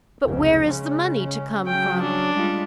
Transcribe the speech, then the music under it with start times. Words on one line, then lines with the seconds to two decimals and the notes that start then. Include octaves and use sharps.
But where is the money to come from?
0.24 F1 C#2 C#3
0.65 C#3 G#3 C#4
1.67 C#3 F#3 C#4 G5
2.01 D4
2.36 G3 G#3 F4